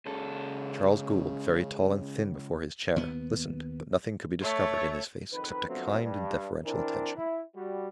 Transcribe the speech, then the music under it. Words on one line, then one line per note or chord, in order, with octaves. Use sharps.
Charles Gould, very tall and thin before his chair, listened, but nothing could be discovered in his face except a kind and deferential attention.
C#2 C#3 A4
D#2 B3
A3 C#5
F2 D#3 D#4 B4
D3 F3 F#3 A3 B3 C4
G2
E3 C4 D4 A#4
E4
G3 F#4